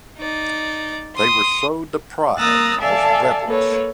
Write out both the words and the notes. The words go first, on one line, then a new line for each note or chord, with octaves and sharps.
They were so deprived as "rebels".
D#4 D5
C6 D#6
A#3 A#5 D#6 E6 F#6 A6
A4 D5 E5 F5 G#5 A5
A#3 A4 B4 C#5